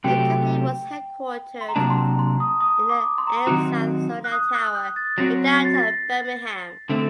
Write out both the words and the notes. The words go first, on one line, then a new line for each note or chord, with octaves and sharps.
The company was headquartered in the AmSouth-Sonat Tower in downtown Birmingham.
C3 F#3 A3 C4 G4 G5
C6
A#5
C3 F#3 A#3 D4 A5
C6
A#5
C6
D#6
D#6
D6
C6
A#5
C6
D#3 F#3 C4 D#4 F#4
F#6
D#6
F#6
G6
A6
F#3 C4 F#4 A#6
C7
A6
A#6
D3 A3 C4